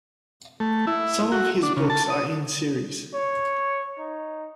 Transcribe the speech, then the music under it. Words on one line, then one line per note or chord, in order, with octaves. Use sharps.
Some of his books are in series.
A3
E4
F#4
D4
C#3
A5
D#6
C#5
D#4